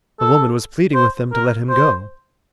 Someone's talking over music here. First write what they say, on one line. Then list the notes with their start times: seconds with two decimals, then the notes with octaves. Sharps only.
The woman was pleading with them to let him go.
0.20 A4
0.94 C5
1.33 A#4
1.69 C5